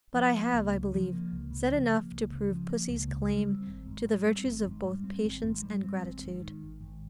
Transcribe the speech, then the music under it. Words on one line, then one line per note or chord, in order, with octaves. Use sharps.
But I have, I believe, said enough to prove pussy's claim to the virtues of both patience and gratitude.
F3
A#3
C#2
C#3
F3
A#3
C#2
C#3
F3
A#3
C#2
C#3
F3
A#3
C#2
C#3
G3
C4
G#1
G#2
G3
C4
G#1
G#2
G3
C4
G#1
G#2
G3
C4
G#1
G#2
D#3
G#1
G#1